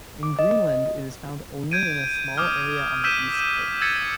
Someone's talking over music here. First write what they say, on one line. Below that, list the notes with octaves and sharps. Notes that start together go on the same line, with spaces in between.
In Greenland it is found only in a small area on the east coast.
D6
D#5
G6 G#6 D7 D#7
D6 D#6 F6
E6 F6 G6 B6 D#7 E7
E6 G#6 A6 B6 C#7